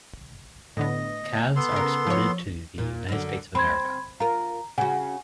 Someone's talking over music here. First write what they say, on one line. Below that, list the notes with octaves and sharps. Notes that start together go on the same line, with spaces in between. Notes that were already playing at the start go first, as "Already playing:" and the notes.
Calves are exported to the United States of America.
A2 D3 B3 D#5
B3 A4 C6
C#3 A#4
F3 C#5
A#2
F#2 D3
C4 B5 C6 G#6
F4 A#4 A#5
C#3 F#4 F#5 G#5